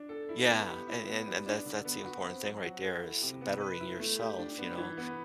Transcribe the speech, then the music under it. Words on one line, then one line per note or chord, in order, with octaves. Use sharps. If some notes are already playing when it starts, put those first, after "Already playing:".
Yeah, and and and that's that's the important thing right there is bettering yourself, you know,
Already playing: D4
A4
E4
B3
G4
E4
B3
G3
D4
D3
B3
F#4
C4
F#3
F#4
A4
E4
C3
B3
B4
E4
A3
G4
D4
B3
E3
B3